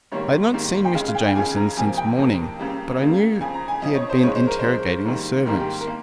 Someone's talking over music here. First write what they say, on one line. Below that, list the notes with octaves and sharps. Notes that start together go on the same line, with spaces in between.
I had not seen Mr. Jamieson since morning, but I knew he had been interrogating the servants.
G#2 D#3 G3 A#3 C#5
G#2 D#3 G3 A#3
G5
D#2 C#3 G#3 F5
F5
G5
G5
D#2 C#3 G#3 G#5
A#5
F2 C3 F3 A#3 G#5
G5
F2 C3 F3 A#3
C#2 C#3 G3 A#3
C#2 C#3 G3 A#3
F2 C#3 F3 G#5
A#5
G#5
F2 C#3 F3 D#5
C#5
C5
G#2 F3 G#3 C#5
C5
A#4
C5
G#2 F3 G#3
G#2 D#3 G3 A#3
G#2 D#3 G3 A#3 A#4
G4
A#4
A#3